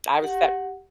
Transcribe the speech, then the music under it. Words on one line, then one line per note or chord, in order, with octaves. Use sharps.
I was set f
G4 F#5